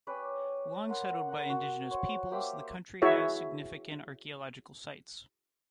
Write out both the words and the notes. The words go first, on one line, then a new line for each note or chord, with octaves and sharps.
Long settled by indigenous peoples, the county has significant archaeological sites.
C#4 G4 B4 D5
A#4 F#5 C6
F#5 A#5
F#4
C5 C#5
A#3 G4 C5 E5
E4 F#4 G#4 C#5 E5